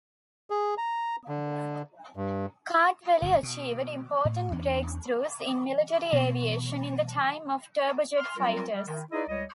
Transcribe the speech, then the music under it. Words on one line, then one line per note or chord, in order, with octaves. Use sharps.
Kartveli achieved important breakthroughs in military aviation in the time of turbojet fighters.
G#4
A#5
D3
G2
G1 G2 A#2 C#3
B2
A2
E2 E3 C#4 D4
B2
C6 F6
F#3 G3 C4 F4 A#4
G3
D#3
D#4 E4 G#4 B4 D5 D#5
C#2 G3 C#5 D#5